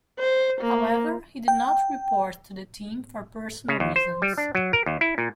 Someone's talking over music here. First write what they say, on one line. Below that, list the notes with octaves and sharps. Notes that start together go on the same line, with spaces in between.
However, he did not report to the team for personal reasons.
C5
A#3
G5
C#3
D#2
C5
G3
D4
F#3
A#4
D#2
E4
A#2